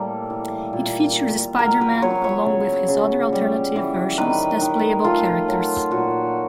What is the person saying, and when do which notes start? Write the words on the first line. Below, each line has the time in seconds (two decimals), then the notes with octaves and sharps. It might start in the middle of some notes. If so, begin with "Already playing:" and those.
It features Spider-Man, along with his other alternative versions, as playable characters.
Already playing: A2 G3 A#3 A4
0.30 E3
0.73 A#2
1.16 A#2
1.59 B3 A#4
1.81 B4
2.02 F#3 C#5
2.24 C#5
2.45 C#3
2.88 C#3
3.33 G3
3.76 E3
4.18 D#3 B4
4.61 D#3
5.04 A3 F4
5.48 F#3
5.91 A#2 F#4